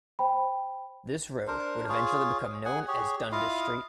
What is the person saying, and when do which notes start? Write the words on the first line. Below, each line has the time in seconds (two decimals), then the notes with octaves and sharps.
This road would eventually become known as Dundas Street.
0.19 C5 G5 B5
1.47 D4 A#4 C5
1.89 F4 G#4 C#5
2.65 G#4 F#5 G#5
2.88 G4 G#4 C#5
3.32 E4 F4 D#5 F5